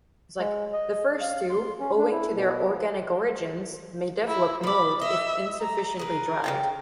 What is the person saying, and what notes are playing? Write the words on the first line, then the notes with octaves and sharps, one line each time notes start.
The first two, owing to their organic origins, may develop mold if insufficiently dried.
G#3
D#5
F5
C6
C#4
D4
E4
B2
F3
E4
F3 D5 B5
D#5 E5
A#5
G#4 A#4 B4
C#3 F4 G5